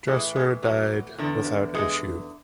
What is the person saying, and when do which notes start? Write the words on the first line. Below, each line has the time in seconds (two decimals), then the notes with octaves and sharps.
Dresser died without issue.
0.07 A2 E3 G#3
0.36 G#3
0.63 F#3
1.19 E2 D3
1.75 G#3